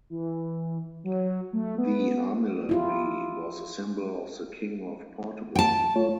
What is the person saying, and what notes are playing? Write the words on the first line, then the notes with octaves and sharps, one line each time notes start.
The armillary was a symbol of the king of Portugal.
E3
F#3
A3
B3
E4 F4 G4
G5 A5
A3 F4 C#5